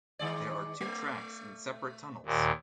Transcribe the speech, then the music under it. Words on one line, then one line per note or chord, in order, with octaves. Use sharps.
There are two tracks in separate tunnels.
D#3 G#3 D5
A3
D#2 A#2